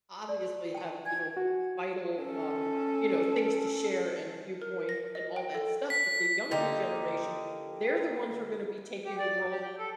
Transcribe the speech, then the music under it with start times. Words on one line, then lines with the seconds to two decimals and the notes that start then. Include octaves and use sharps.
obviously have, you know, vital, um, you know, things to share and viewpoints and all that stuff, but the younger generation, they're the ones who are gonna be taking the world
0.29 D5
0.75 G5 A5
1.06 G#5 G#6
1.37 F#4
2.18 C#4 A4
4.62 A#4
4.89 A#6
5.15 D#5
5.36 G5
5.54 A4
5.90 B6
6.51 D3 A#3 D#4 G4
9.05 G4
9.19 D5
9.39 G2
9.51 G4
9.63 G5
9.78 A4